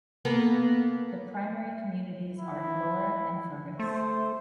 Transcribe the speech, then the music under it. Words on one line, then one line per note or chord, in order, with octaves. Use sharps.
The primary communities are Elora and Fergus.
A#3 B3 A4
E4
A3 C5